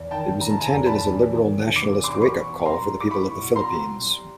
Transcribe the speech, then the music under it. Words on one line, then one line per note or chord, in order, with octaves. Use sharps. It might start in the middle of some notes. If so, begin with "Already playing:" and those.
It was intended as a liberal-nationalist wake-up call for the people of the Philippines.
Already playing: E2
D#3 G5 A5
C3 A#5
A5
G#5 A#5
E2
A5 B5
E2
D#3
C3
D6
E2
C6 D6
D6
B2 B5 C#6
C4
A#5 C6
G3
D6
E4 B5 C#6
B2
A#5 C6
C4
G3